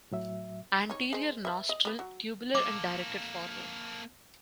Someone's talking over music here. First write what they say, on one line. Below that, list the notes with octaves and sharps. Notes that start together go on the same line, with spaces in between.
Anterior nostril tubular and directed forward.
A2 F#3 E5
D#4 C#5
G#3 C5
B4 E5
D#5
B4 D#5
F#3
A#3 A4 D6